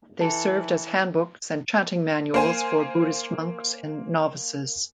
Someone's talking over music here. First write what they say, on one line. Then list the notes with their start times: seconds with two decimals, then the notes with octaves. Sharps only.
They served as handbooks and chanting manuals for Buddhist monks and novices.
0.21 E3 A4
2.34 A#3 C5 G#5